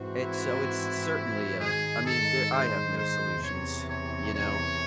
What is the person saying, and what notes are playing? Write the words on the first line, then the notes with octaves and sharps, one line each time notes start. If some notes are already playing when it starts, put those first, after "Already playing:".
It's so it's certainly, uh, I mean, there I have no solutions, you know.
Already playing: G#2 E3 C4 F#4 C5
E4
G#2 D#3 G#3 G#4
A4
C5
C5
E2 C3 E3 C#5
C#5
C#5